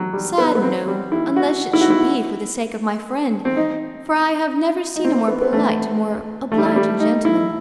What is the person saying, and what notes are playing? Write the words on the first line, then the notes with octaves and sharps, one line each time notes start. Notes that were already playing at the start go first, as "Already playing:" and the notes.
"Sad, no, unless it should be for the sake of my friend, for I have never seen a more polite and more obliging gentleman."
Already playing: F#3
G3
B3
B3
C4
G3
E4
F#4
E4
F#4
E4
C4
D#4
D#4
C4
B3
B3
A3
A3
G3
A3
G3
D#4
E4